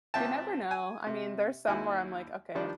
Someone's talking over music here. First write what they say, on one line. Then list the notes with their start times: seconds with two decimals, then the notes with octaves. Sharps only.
You never know, I mean, there's some where I'm, like, "Okay.
0.14 C#2 C4 E5 G5 A5
0.71 G#5
1.07 C3
1.67 D#2 E4 F#4 G#5
2.55 D#3 F3 G3 D4